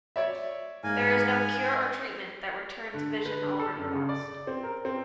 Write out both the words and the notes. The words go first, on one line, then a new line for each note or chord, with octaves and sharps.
There is no cure or treatment that returns vision already lost.
C#5 D5 E5
G#2 A#3 G#5
D3
B4
D3
A4
F#2
C#3
D5
C4
A#4
C4